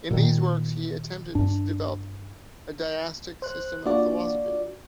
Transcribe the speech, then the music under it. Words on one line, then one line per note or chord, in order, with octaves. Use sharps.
In these works he attempted to develop a Deistic system of philosophy.
A#2 D#3
G2 D4
C5 F#6
A#3 D4 F4 F#4 D5